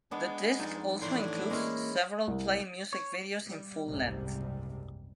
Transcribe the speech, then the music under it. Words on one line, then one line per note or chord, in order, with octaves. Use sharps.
The disc also includes several Play music videos in full length.
G#3 B3 D4
F2 D#4 D5
A2 E3 D4 A#5 C6
G#3 A#3 C#4 E4
C2
C#5
G3
F#1 C2 G#2 C3 G3